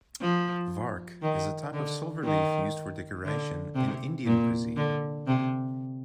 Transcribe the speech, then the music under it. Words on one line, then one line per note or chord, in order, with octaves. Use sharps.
Vark is a type of silver leaf used for decoration in Indian cuisine.
F3
D#3
D3
D#3
D3
C3
A#2
D3
C3